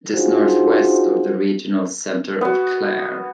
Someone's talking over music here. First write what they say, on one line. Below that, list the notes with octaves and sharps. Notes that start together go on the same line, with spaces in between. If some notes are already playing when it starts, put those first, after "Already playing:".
It is north west of the regional centre of Clare.
D4 D#4 F4 F#4 G#4 C5
B3 F#4